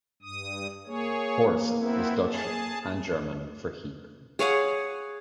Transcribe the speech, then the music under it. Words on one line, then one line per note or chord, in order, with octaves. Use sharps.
"Horst" is Dutch and German for "heap".
G2 D#6
A#3 G#4 C#5
B3 C4 E4
G#4 A5
G#4 C#5 F5 F#5